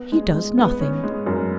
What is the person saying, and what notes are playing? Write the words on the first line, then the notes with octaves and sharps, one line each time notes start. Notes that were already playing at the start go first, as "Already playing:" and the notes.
He does--nothing.
Already playing: B3
G#3
G#3
B3
C#4
G#3
F#2